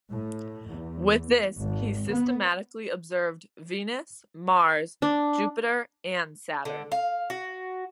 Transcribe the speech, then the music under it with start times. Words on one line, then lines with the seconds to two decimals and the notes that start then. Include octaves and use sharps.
With this he systematically observed Venus, Mars, Jupiter and Saturn.
0.11 A2
0.69 E2
1.57 G#1
2.07 B3
5.02 D4
6.65 D3
6.92 F5
7.30 F#4